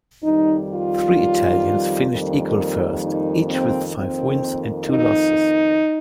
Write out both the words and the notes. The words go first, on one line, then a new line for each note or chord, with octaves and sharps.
Three Italians finished equal first, each with five wins and two losses.
F2 D#3 G3 D#4
F4
F2 D#3 G3 A#3
D#4
C4
F2 D#3 A#3 C4
D#4